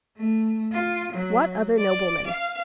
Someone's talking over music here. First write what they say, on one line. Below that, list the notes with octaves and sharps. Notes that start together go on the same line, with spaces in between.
"What other nobleman?"
A3
F4
F#3
D5
F5